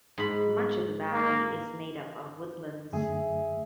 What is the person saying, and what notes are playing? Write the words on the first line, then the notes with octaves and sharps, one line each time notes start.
Much of the valley is made up of woodlands.
G#2 B5
A#3
F#2 D3 A3 G#4 E5